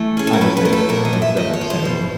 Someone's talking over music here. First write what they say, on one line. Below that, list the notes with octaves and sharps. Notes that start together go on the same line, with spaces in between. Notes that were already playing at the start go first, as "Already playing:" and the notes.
I understand. No, that's definitely understandable.
Already playing: E3 A3
C#4 G#4
A4
A#4
F3 B4
B4
A3 A#4
A4
A#2 A#4
D#5
F3
E5
F3 D#5
C#5
F3
C5
B2